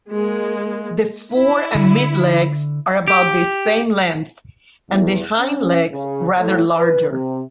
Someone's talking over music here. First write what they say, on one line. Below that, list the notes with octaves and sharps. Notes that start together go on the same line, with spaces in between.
The fore and mid-legs are about the same length and the hind-legs rather larger.
G#3 A#3
E4
D3
G4
E2
C#4
C#3
A2
B4
C3